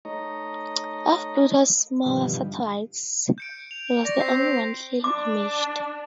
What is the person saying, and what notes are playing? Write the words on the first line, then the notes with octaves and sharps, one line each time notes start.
Of Pluto's smaller satellites, it was the only one clearly imaged.
A3 D#4 C#5 D#5 A#5
G2 B2 D3 D#3 F3 G3
G6 C#7 D7
F7
D5 C#6 A#6
C4 G6 C7
D4 D6